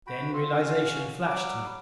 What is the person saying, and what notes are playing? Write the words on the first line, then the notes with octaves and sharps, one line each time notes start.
Then realization flashed to me.
F#4 G5 B5
C4 F4
C#4 F#4 F5
F#3 G3 D6